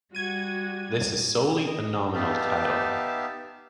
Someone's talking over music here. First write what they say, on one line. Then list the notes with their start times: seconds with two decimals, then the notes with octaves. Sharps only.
This is solely a nominal title.
0.15 G3 F#4 G#6 D#7
1.67 D#5
2.15 B3 D#4 G4 E5 F5 A5